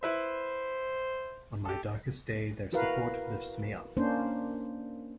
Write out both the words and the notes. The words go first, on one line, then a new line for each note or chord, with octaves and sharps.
On my darkest day their support lifts me up.
E4 B4 C5 E5
G4 A4
E4 F#4 A#4 B4 F5
A#3 C#4 D4 C5